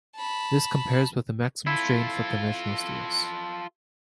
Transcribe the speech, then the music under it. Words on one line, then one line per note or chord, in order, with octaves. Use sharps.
This compares with a maximum strain for conventional steels.
A5 B5
E4 F4 A4